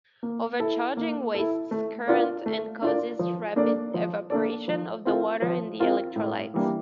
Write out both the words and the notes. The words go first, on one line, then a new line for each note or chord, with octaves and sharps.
Overcharging wastes current and causes rapid evaporation of the water in the electrolyte.
A#3
E4 A4
A#3
E4 A4
A3
D4 F4 A#4 D5
A3
D4 F4 A#4 D5
F3
A#3 D4 A4 D5
F3
A#3 D4 A4 D5
F3
C4 F4 A#4
F3
C4 F4 A#4
A2
E3 G3 A#3 D4